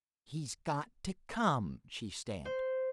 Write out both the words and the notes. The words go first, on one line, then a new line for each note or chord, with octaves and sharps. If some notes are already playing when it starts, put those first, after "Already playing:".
"He's got to come." She stamped.
C5